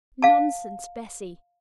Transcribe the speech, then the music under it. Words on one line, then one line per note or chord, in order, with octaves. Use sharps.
'Nonsense, Bessy!'
F5 A5